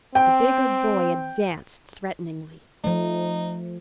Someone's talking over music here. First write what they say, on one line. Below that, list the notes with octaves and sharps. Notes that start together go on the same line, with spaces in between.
The bigger boy advanced threateningly.
C4 G5
F3 A3 D#4